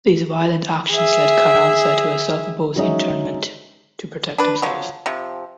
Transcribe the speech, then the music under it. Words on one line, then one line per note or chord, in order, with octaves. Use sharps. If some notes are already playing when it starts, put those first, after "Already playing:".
These violent actions led Carranza to a self-imposed internment to protect himself.
G#4 E5
F#3 G#3 C#4 D#4 G#4 E5
D4 B4
F3 F#3
C3 F3